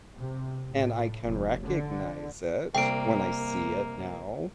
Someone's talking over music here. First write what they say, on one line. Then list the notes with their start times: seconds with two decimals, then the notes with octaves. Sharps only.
and I can recognize it when I see it now.
0.17 C3
0.71 A2
1.24 F1
1.63 D3
2.75 C2 A#3 G5 D7